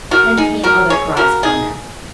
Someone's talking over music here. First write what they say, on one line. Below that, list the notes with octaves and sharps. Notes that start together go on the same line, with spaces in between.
Then came other cries from them.
F#4 A#4
D#4 G#4
F#4 A#4
G#4 C#5
C#3 A#3 F#4 A#4
D#4 G#4